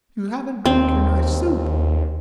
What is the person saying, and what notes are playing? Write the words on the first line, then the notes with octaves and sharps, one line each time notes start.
"You haven't drunk your nice soup."
D#2 C4